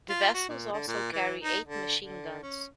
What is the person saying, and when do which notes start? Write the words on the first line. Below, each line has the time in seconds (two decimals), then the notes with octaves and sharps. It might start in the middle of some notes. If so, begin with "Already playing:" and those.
The vessels also carry eight machine guns.
0.09 F4
0.34 F#4
0.49 A#2
0.73 D3
0.87 A#2
1.12 E3
1.43 D#4
1.67 D3
2.02 D3
2.42 C#4